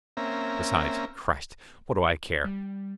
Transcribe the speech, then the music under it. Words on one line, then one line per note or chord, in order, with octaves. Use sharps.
Besides, Christ! what do I care?
A#3 C4 C#4 E5 A#5
G3